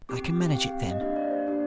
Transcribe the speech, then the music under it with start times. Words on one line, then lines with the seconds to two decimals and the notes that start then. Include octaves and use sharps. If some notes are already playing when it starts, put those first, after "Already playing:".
I can manage it then.
0.09 C4 G4 D6
0.48 G5
0.55 C4 G4 F5
0.91 D#5
1.01 A#3 D4 G4 F5
1.16 D5
1.31 C5
1.47 A#3 D4 G4 D5